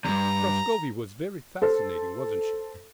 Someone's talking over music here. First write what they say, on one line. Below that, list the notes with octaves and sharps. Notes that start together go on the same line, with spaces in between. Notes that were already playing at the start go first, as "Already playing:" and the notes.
"Prascovie was very fascinating, wasn't she?"
E2 G2 A#5
A4 C5